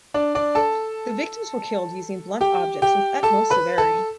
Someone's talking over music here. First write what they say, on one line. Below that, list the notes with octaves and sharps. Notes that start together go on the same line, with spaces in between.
The victims were killed using blunt objects with utmost severity.
D4 D5
D4 D5
A4 A5
G4 G5
G4 G5
A4 A5
B4 B5
A4 A5